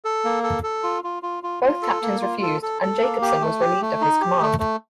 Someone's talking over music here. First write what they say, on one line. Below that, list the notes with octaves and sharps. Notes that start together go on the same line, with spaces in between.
Both captains refused, and Jacobsen was relieved of his command.
A4
A#3
A4
A4
F4
F4
F4
F4
F4
A4
A#3
F4
A4
A4
A4
A#3
G4
A3
G4
A3
D#4
G4
A3
A3